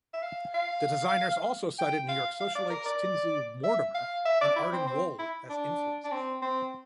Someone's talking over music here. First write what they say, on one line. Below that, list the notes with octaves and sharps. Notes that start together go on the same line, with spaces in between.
The designers also cited New York socialites Tinsley Mortimer and Arden Wohl as influences.
E5
F5
F5
G5
F5
F5
D5
A#4
D5
E5
F5
E5
D5
E4
C4
C4
E4
D4
D4
C4
C4